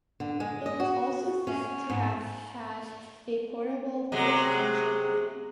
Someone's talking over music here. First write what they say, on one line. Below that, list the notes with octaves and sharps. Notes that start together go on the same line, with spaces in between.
It is also said to have had a portable Fish and Chip van.
D3
G#3
D#5
F#4
C#4
G#2
C3 F#3 G#3